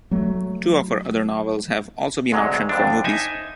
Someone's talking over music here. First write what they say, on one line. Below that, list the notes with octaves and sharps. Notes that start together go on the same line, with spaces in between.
Two of her other novels have also been optioned for movies.
F#3 A3
D2 G#2 C3 F#3 G#3
F2 D3 D4
D#4 E5 G#5